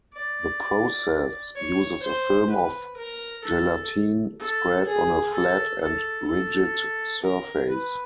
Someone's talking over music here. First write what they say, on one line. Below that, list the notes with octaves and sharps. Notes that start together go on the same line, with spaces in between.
The process uses a film of gelatine spread on a flat and rigid surface.
D5
C#5
C5
B4
A#4
A4
A4
G#4
A4
A4
A4
A#4
B4